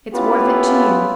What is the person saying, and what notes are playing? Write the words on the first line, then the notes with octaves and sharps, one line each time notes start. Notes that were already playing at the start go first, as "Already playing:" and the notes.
It's worth it to you.
B3 C#4 E4 F4 G4 B4